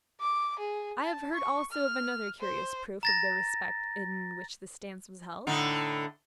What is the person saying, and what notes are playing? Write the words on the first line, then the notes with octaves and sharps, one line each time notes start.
I have heard also of another curious proof of the respect in which this dance was held.
D6
G#4
A5
C#6
F6
C5
A#5 A6 A#6
A2 D3 D#4